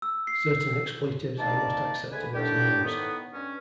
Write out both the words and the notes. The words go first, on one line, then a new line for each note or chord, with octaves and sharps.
Certain expletives are not accepted as names.
E6
C7
A#3 D#4 D5 A5
D2 G#3 B4 G#5
A2 D3 D#3 G3 D4 G4
A2 D#3 B3
G2 C#4